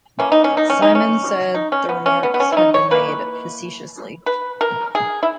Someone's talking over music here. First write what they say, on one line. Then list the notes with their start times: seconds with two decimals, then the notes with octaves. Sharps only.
Symons said the remarks had been made facetiously.
0.19 E3 A#3 C#4
0.32 D#4
0.44 C#4
0.57 D#4
0.70 C#4
0.82 D#4
0.95 C#4
1.54 D#4
1.72 C#4
1.89 B3
2.06 C#4
2.23 B3
2.34 B3
2.40 C#4
2.52 E4
2.57 D#4
2.74 C#5
2.91 E3 A#3 B4
4.26 B4
4.61 A#4
4.95 G#4
5.23 E4